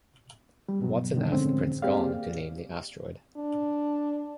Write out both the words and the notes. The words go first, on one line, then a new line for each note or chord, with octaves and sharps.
Watson asked Prince Gong to name the asteroid.
G3
G2 B2 F#3
G2 B2 D3 D#3
F2 A2 D3 G#3 C4 C#4
A#3 C4 G4 G#4 D5 F5
D4